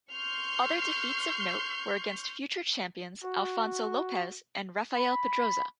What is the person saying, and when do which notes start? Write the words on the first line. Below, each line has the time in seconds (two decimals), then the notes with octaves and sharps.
Other defeats of note were against future champions Alfonso Lopez and Rafael Pedroza.
0.12 C6 C#6 F6 G6 C7
3.24 F#4
4.97 B5